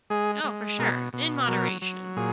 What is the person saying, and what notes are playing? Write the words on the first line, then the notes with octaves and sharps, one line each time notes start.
Oh, for sure, in moderation.
G#3 G#4
G#3
B2 A#4
B2
F#3 A#4
F#3
A#2 G#4